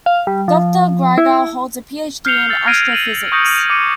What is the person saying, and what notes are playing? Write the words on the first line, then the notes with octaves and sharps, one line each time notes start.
Doctor Grygar holds a Ph.D. in astrophysics.
F5
G3
F3
E4
F6 G6 C7 C#7 F7 G7
E6 A6
F6 G#6 A#6 C7 D7 D#7
D#7 F#7
C#6 D#6 G6 A#6 C#7
D6 C#7 D#7